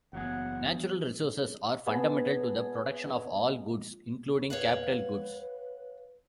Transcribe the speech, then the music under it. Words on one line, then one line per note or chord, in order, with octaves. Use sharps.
Natural resources are fundamental to the production of all goods, including capital goods.
F#1 E2 F#3 A#3 B3 G#4 F#5
B3 G#4 A5
B4 C#5 F5 F#5